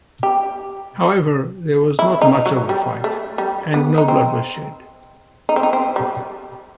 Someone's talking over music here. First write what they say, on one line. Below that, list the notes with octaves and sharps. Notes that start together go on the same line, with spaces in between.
However, there was not much of a fight, and no blood was shed.
G4
E4
D#4
F#3
G3
A3
G3
B3
D#4
C4
D#4
C4
D#4
C4
G3